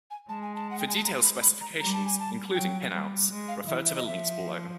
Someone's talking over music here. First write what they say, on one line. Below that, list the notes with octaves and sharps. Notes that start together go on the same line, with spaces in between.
For detailed specifications, including pinouts, refer to the links below.
G#5
G#3 A5
G#5
A5
F#5
G5
G#5
A5
A#5
C6
B5
B5
A#5
G3 A#5
A5
G#5
A5
F#3 G5
G3
G#3
F5
E3 E5
E5
D#5
F3 E5